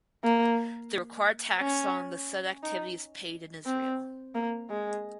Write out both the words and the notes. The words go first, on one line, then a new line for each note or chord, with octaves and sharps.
The required tax on the said activity is paid in Israel.
A#3
C#4
D#4
C4
A#3
G#3